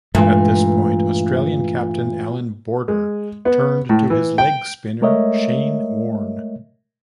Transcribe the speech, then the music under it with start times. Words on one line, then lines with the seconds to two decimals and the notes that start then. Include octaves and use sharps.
At this point, Australian captain Allan Border turned to his leg spinner, Shane Warne.
0.15 G2 A#2 E3 G#3 A3
2.88 G#3
3.45 B3
3.89 A2
4.10 E3
4.38 G5
5.01 G#3 A3 A#4 C#5 D#5 E5